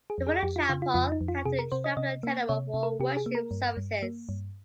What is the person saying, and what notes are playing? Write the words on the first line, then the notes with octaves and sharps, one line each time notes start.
Before the chapel, they had to travel to Tenero for worship services.
G#4
F2
G#4
F2 G4
F4
C#3 F4
F4
F2 F4
D#4
F2
F4
C3 G#4
A#4
C3 C5
D#5
C3 D#5
A#3
C3 C#5
C3
A#4
C3 G4
G#4
A#3
A#4
G2
G2
A#3
G2